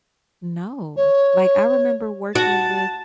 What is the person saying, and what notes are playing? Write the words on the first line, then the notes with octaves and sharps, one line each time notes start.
No. Like, I remember working with
C#5
F#4 A5